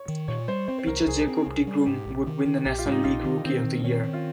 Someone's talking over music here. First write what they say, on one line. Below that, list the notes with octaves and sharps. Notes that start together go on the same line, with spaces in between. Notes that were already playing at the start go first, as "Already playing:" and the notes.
Pitcher Jacob deGrom would win the National League Rookie of the Year.
Already playing: C#5
D#3
A#2 C#5
G3 C5
C4 C5
C5
C2 A#4
C2 G#4
C4
C2
G3
G#2 G4
A#1
D#3
D#3
A#1 G4
F4
G#2
D#4
A#1 F4
D#3
D#3 C4
D#3
D#3 C#4
D#3
F4